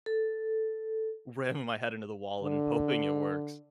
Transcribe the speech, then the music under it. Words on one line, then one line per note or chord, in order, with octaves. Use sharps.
ramming my head into the wall and hoping it works.
A4
D3